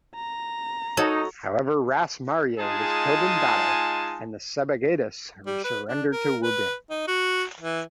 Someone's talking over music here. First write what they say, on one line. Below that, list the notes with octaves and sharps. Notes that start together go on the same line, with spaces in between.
However, "Ras" Marye was killed in the battle, and Sebagadis surrendered to Wube.
A#5
D#4 F#4 A4 C#5
G#3 D#4 F4 G#4 G#5 A5
G3
B4
D4
A#4
B4
D#4
F#4
E3